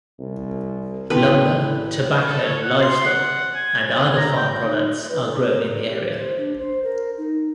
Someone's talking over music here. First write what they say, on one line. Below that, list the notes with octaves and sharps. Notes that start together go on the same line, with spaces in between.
Lumber, tobacco, livestock, and other farm products are grown in the area.
C2
A1 A2 B3 C4 E4 A4 B4 G5
A4
C#5
F#5
C6
F#5
G#5
A#5
G5
D#4
B4
A4
A#4
G4
C5
D4
C5
A#4
D#4